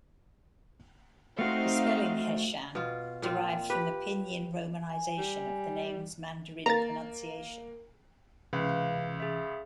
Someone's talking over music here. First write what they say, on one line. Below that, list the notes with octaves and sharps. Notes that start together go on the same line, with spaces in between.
The spelling Heshan derives from the pinyin romanization of the name's Mandarin pronunciation.
A3 C4 D#4 F#4 F5
B2 F4
A#2 C4 F4
G4 B4
G#5
G3
A#3 A#5 A6
C#2 C3 E3 C#4 B4 E5 F5
G#4 E5